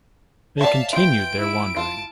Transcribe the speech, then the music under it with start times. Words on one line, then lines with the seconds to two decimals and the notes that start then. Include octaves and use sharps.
They continue their wandering.
0.61 C#5 D5 E5 F5 A5
0.93 E3 F4 G5 D7
1.38 E4
1.76 F4 A5